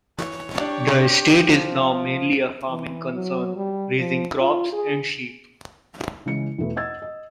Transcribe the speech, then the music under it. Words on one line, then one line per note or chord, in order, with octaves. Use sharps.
The estate is now mainly a farming concern, raising crops and sheep.
E3 C#5
D4 G4
F3
E3
F#3
G3
F3
F4
G#4
C#3 E3 G#3 C#7
E2 B2 A3 B3
D#5 F#5 E6 G#6 A6
D#5